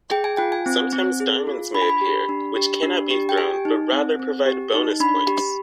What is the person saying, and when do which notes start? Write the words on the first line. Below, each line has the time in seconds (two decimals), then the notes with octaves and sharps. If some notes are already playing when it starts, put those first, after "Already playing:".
Sometimes diamonds may appear, which cannot be thrown but rather provide bonus points.
0.11 G#4 G5
0.24 G#5
0.37 F4 G5
0.52 G#5
0.66 C4
0.93 C4
1.20 G#4
1.47 F4
1.74 D4 B5
1.82 G#5
1.89 B5
2.01 G4
2.29 D4
2.56 G4
2.83 D4
3.11 G4
3.29 G5
3.37 G4 G#5
3.65 D#4
3.92 C4
4.19 C4
4.46 G4
4.74 D#4
5.00 D4 B5
5.27 G4